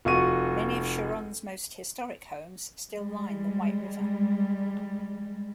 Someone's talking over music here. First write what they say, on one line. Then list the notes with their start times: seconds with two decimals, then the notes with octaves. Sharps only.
Many of Sharon's most historic homes still line the White River.
0.05 F1 F4 F#4 C#6 D#7
2.91 G3 G#3